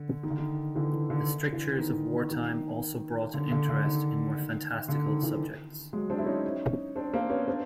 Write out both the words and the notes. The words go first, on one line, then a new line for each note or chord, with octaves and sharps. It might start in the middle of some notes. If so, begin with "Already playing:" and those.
The strictures of wartime also brought an interest in more fantastical subjects.
Already playing: D3
D#3
D3
D#3
D3 E3
D#3
D3 E3
D3 E3
D#3
D#3
D3
D3
D3
D#3
D3
D#3
D3 E3
F#3 G#3
C4 D4
E4
C#4 D#4
C4 D4
A#3 C4
B3 C#4
C4 D4